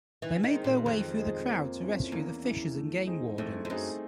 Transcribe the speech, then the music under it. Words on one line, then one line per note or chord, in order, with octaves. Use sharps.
They made their way through the crowd to rescue the fishers and game wardens.
D#3 E3
D#3
G#3 C4 D#4
A#2
F2 D#3
G#3 C4 D#4
A#3
C#4 E4
E2 A#3
C#4 E4
A3
C4 D#4 G#4
F2 A3
F2
F#2 C4 D#4 G#4